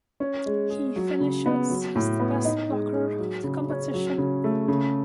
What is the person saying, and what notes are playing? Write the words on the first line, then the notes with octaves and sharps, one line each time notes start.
He finishes as the best blocker of the competition.
C#4
G#3
G#4
F#3
C#3
B3
F#3
A2
B3
D#4
G#3
G#4
F#3
C#3
C#4
F#3
C#3
A3
C#3